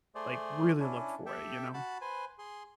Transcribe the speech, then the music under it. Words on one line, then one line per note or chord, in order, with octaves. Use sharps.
like, really look for it, you know?
A3 G#4 C5 D5
C#4 D4 E4
G4 A4 E5 G5
F#4 A5 B5
B4 C5 G#5
G#4 C6